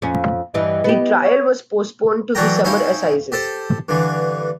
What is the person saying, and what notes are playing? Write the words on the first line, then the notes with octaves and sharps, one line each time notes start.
The trial was postponed to the summer assizes.
F2 C#4
G2 E3 G3 D#5
B3 G4
C#5
E3 F#3 A4 D5 G5 A#5
C#4 D#4 E4 C5 F5 G5
G4 A4 C5
G2 D3 E3